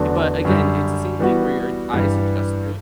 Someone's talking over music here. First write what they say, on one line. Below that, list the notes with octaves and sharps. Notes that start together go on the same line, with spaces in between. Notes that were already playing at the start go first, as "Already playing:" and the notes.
But again, it's the same thing where your eyes adjust to it.
Already playing: E2 D3 F#3 A3 D4
F#2 D3 G3
E3 G3 B3 F#4
G2 E3 G3